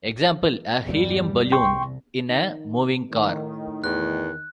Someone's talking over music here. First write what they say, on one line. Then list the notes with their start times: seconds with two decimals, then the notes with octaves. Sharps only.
Example: A helium balloon in a moving car.
0.83 E2 G2 G3
1.52 C2 G5 C6 C#6
2.29 D#3
3.11 A2 D#3
3.84 E2 A2 F#6